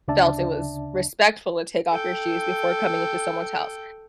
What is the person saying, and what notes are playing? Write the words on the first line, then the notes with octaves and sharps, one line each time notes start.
felt it was respectful to take off your shoes before coming into someone's house.
D2 C#3 D4 D5 E5 A5
A4 G5